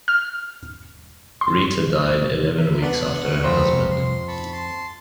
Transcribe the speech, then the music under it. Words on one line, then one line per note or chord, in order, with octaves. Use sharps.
Rita died eleven weeks after her husband.
F6
C6
A#4 E5
B3 D4 F#5 C#6 F#6
F2 C5 A#5 B5 C#6
C6
A5 B5 C#6
A5 C6